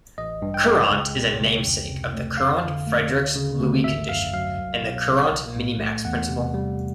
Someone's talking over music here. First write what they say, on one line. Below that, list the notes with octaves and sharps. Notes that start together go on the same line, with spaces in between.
Courant is a namesake of the Courant-Friedrichs-Lewy condition and the Courant minimax principle.
A1 D#5
G2
G5
G#3
C#2
B2
C#2
F2
C3
A3
F2 F5
D3
A3
D2
C#3
D2
G#1 E5
F#2 F5
F#3 F5
C2
B2
C2
B1
A2
A3
E2 F#5
C3
G3